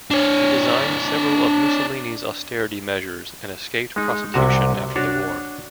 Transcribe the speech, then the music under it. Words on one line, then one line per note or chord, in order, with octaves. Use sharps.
He designed several of Mussolini's austerity measures and escaped prosecution after the war.
D4 C#5
G#3 D#4
C2 C3 F#4
D4 F#4 C#5